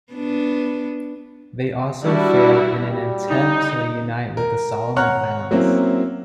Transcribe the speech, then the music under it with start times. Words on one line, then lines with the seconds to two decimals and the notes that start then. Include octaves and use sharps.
They also failed in an attempt to unite with the Solomon Islands.
0.13 B3 D4
2.04 G3 D4 E4 F#4
2.88 G3
3.29 D#4
4.37 A#4
4.96 C#5 F#5 A#5 F6 F#6
5.51 F#3 A#3 C4 C#4 E4